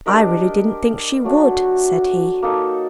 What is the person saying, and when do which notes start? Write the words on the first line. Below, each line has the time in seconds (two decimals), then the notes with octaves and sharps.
"I really didn't think she would," said he.
0.06 D4 G4 A#4 D#5
1.24 F#3 A3 D4 F#4
2.42 A#3 D#4 A4